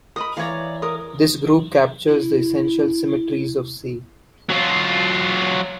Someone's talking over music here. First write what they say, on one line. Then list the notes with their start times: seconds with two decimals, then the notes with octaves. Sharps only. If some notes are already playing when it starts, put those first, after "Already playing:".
This group captures the essential "symmetries" of "C".
0.16 A#4 D#5 B5 D#6
0.37 E3 C#5 D5 F5 A#5
0.82 A#4 D#6
2.08 E4
4.49 F#3 F4